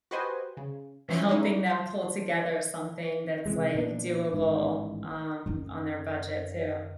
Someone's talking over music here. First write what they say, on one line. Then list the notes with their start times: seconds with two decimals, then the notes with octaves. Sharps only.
helping them pull together something that's, like, doable, um, on their budget, too.
0.11 F#4 G4 B4 C5 D#5 G#5
0.57 C#3
1.09 E3 F3 C#4 E4
1.29 G#3 C#4 D#4 E4
1.66 A5 C6
3.46 C3 E3 G#3
3.75 A#2 B3 C4 D4
4.32 A1 G#2 D#3
5.46 F#2 D#4